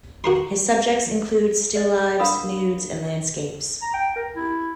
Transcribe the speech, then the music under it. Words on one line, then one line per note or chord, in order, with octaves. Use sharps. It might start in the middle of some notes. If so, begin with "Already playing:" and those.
His subjects include still-lives, nudes, and landscapes.
F#4 A#4 C6
D5 D#5
D4 A#4 F5 F#5 B5 D#6
A#5
G5
A#4
E4